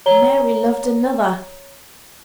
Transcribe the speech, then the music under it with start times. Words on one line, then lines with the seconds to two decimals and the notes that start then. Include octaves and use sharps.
Mary loved another!
0.06 C#5 A#5 G7